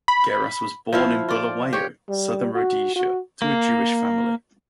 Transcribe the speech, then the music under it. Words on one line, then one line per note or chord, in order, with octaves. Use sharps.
Geras was born in Bulawayo, Southern Rhodesia, to a Jewish family.
B5
F3 E4 F5
F4 D5
G4 C#5
G3
F#4
F#4
A#3